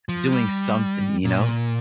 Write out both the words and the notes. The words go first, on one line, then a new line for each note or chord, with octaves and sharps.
doing something, you know,
F3
G3
A#2